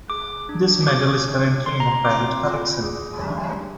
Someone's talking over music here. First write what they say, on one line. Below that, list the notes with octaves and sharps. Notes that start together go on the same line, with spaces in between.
This medal is currently in a private collection.
G#4 D6
D4
G#4 D6
D4
C4 C6
A#5
C6
C4 D6
F4
G#4
G4
D4